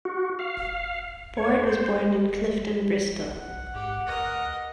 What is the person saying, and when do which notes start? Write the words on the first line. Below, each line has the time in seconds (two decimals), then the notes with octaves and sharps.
Board was born in Clifton, Bristol.
0.05 F#4
0.39 F5
1.37 C#5
1.64 C5
3.29 B1 F#5
3.74 G#2 G4
4.07 D2 A#4 D#5